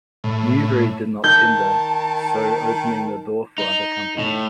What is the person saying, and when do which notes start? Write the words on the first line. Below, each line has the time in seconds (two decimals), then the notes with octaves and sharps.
Newbury did not tender, so opening the door for other companies.
0.24 A2
1.24 D#3 A5 G6
3.58 D#4
4.19 A2